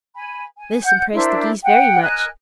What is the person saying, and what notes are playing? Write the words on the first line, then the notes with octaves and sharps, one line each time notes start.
This impressed the Geese very much.
G#5 B5
G#5
F#5 G6
D4 E4 A#4 C5
F#5 G5
A#4 D#5 G#5 F#6